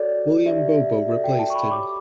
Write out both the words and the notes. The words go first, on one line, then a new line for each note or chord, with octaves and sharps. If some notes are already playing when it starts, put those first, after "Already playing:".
William Bobo replaced him.
Already playing: F#4 A4 C#5 D5
D4 G4 D5 E5
E5
F#4 A4 D5 E5
G5
A5
C#6
B5
G4 C#5 D6